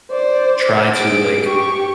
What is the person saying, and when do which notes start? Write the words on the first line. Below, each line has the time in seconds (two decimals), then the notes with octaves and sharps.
try to, like,
0.11 C5 D5
0.96 G#4 D7
1.45 G4 C#6